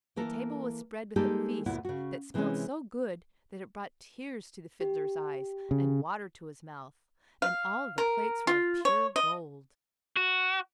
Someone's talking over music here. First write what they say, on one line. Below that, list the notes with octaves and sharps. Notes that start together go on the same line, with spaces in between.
The table was spread with a feast that smelled so good that it brought tears to the Fiddler's eyes and water to his mouth, and all the plates were of pure gold.
E3 A#3 A4 A#4
G3 G#3 A#3 D#4 G4 A4
D2 A#2 B3 E4
C#3 F#4
C3 E3 G#3 A3 C4 C#4
G4
C#3
F5
A#4
F4
C#5
D#5
F#4